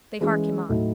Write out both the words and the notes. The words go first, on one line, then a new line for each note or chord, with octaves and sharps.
They hark him on.
E3 G#3 C#4 E4 G#4
A2 F#3 A3 D#4 A4